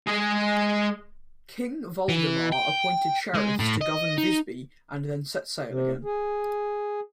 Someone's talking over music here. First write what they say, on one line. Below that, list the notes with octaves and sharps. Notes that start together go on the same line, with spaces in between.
King Valdemar appointed sheriffs to govern Visby and then set sail again.
G#3 G#4
E3
G5
G#3
A2
D#5
D#4
C3
G#4